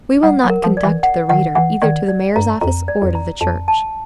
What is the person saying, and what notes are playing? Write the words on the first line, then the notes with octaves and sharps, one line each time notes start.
We will not conduct the reader either to the mayor's office or to the church.
G3 F#5
F#3
A#4
F3
D5
E3
F#5
D#3 F#5
E3 F#5
D#3 D5
D5
G2 A#5
F2 A#5
D5
F2
A#5
F2 A5
A5